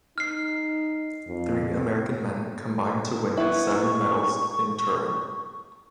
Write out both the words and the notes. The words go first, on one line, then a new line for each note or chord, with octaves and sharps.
Three American men combined to win seven medals in Turin.
D#4 F6 C7
F2
B3 E4 C#6